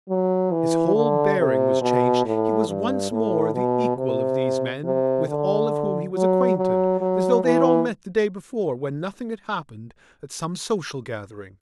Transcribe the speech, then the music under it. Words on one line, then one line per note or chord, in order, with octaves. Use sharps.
His whole bearing was changed; he was once more the equal of these men, with all of whom he was acquainted, as though they had all met the day before, when nothing had happened, at some social gathering.
F#3
E3
D3
C3
B2
A2
G2
A2
B2
C3
C3
D3
F#3
F#3
F#3
E3